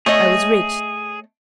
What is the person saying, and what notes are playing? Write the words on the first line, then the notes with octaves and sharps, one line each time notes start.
I was rich.
A3 G#4 C#5 D#5